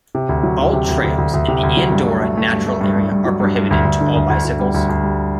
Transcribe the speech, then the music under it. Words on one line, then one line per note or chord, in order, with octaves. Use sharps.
All trails in the Andorra Natural Area are prohibited to all bicycles.
C3
D2
F#3
D2
C3
D2
D2
D2
D2
C3
D2
F#3
G2
A3
A3
A3
G2
A3
G2
G2
G2
F#3
G2
G2
D2
D2
D3
D2
D2
D2
G3
D2
D2
G3